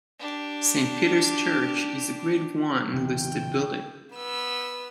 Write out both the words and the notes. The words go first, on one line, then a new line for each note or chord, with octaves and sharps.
Saint Peter's Church is a Grade One listed building.
D4 G4
C#3 E3 G5
B3 E6